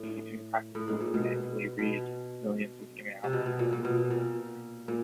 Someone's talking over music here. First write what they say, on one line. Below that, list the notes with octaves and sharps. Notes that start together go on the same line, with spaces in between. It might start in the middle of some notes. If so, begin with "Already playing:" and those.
It would be impractical to manually read millions of emails.
Already playing: A2
A2
G#2
A#2
B2
B2
C3
B2
B2
A#2
A#2
B2
A#2
A#2